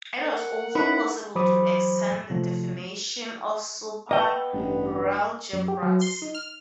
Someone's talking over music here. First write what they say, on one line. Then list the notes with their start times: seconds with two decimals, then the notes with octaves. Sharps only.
It is also possible to extend the definition to superalgebras.
0.19 A#4 F#5
0.75 C#4 D#4 E4 B4
1.35 E3 F#3 C5 B5 D6 D#6
2.30 C3 F3 A3
4.11 B3 D#5 G5
4.54 A1 G2
5.53 F#2
5.68 G4
5.82 F#3
6.01 C6
6.22 D#4
6.35 F6